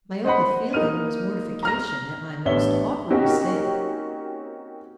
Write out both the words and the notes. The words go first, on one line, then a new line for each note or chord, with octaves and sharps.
My only feeling was mortification at my most awkward mistake.
C5 D#5 F#5 B5
A#3 D#4 A#4 F6 D#7
A#5 F6 A#6
A1 B3 D4 C#5 E5 G7
A#3 C4 C#4 D#4 F#4 G4